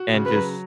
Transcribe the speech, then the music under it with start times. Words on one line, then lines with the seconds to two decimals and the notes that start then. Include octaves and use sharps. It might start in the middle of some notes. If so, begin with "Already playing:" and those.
and just
Already playing: F#4
0.14 C#3
0.25 B4
0.36 F#3